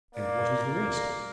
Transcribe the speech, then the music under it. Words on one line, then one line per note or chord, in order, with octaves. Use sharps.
"And what is the rest?"
A#3 D5